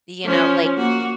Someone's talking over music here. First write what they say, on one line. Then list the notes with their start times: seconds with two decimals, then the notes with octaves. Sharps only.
you know like,
0.24 F3 C#4
0.77 A#3 F#4